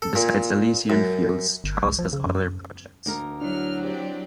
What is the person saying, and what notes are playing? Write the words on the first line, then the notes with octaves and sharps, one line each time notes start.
Besides Elysian Fields, Charles has other projects.
A4
A#2
F#2
G1
C2
F3
C#3
F#2
D2 A#4
F#3 D4 E4 F6
C4 G4 D5